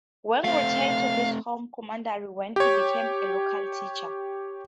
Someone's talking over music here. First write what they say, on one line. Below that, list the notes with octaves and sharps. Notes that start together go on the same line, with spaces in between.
Wang returned to his home commandery where he became a local teacher.
A3 C4 F5
G4 C#5